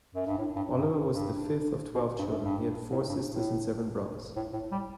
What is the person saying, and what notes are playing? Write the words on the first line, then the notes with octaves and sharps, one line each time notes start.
Oliver was the fifth of twelve children; he had four sisters and seven brothers.
F#2
G2
A2
G2
G2
G2
B2
G2
F#2
G2
A2
G2
A2
A2
A2
G3